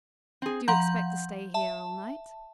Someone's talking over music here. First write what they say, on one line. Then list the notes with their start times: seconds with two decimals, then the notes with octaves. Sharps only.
"Do you expect to stay here all night?"
0.42 C4 G#4
0.68 F3 F#5 A#5 G6
1.54 E5 A5